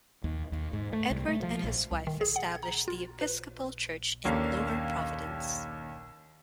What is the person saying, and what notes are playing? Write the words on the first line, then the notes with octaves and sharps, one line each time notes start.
Edward and his wife established the Episcopal church in Lower Providence.
D#2
D#2
G#2
A3
C2
A3
F3
A#1
C2
D#3
G#4
F#5
G#6
A#5
F4
B4
D#2 A#3 C#4 D4 A4 F5